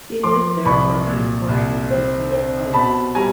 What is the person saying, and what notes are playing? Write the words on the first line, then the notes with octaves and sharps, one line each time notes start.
He lived there for a good portion of his later life.
F3 C6 D6
C2 B5 C#6
A#2
C2
C4
C4
B2 A5 B5
G3 G#5 A#5